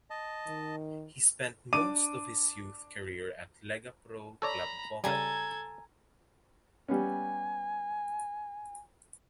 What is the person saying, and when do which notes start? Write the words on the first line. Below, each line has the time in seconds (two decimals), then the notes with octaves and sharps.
He spent most of his youth career at Lega Pro club Como.
0.10 D#5 A5
0.47 D#3
1.73 D4 D6 D#7
4.42 A4 C#5 D5 A#5 B5
5.04 C#3 G3 A4 G#5 A#5 G#6
6.88 G3 B3 C#4 G#5